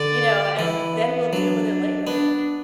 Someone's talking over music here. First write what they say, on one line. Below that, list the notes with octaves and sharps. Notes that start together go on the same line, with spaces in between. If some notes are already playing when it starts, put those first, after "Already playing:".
you know, and then we'll deal with it later.
Already playing: D3 D5
E3 E4
B3
F#3 D4
B3 D4